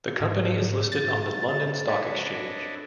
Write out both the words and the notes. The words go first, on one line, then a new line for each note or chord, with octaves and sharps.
The company is listed on the London Stock Exchange.
G#2
A6
D4 A4 B4 C#5 D#5